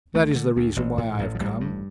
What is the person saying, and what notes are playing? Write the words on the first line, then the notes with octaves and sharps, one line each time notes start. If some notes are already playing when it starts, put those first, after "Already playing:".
That is the reason why I have come.
D2 A3
D3
D2
A1
A2
A1
F3
A1 G3
G2